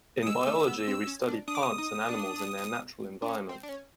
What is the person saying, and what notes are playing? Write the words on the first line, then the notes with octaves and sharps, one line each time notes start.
In biology we study plants and animals in their natural environment.
D#6
G#3 E6
A3
B3
C4
C#4
D4
D4 D#6
D6
D#6
D#4
D4
D4
C#4
C4
D4
C#4